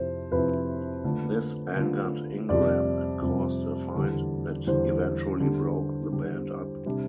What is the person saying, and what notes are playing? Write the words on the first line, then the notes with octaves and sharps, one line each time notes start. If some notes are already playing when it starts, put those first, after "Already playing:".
This angered Ingram, and caused a fight that eventually broke the band up.
Already playing: F2 C3 C4 E4 C5
F2 C3 F3 C4 E4 B4
D3 A3 D4 F4
D3 A3 D4 F4
F2 C3 G3 D5
F2 C3 G3
E2 D3 G3
E2 D3 G3 C5
D3 G3 D4 G4
D3 G3 D4 G4
C3 G3 D4 G4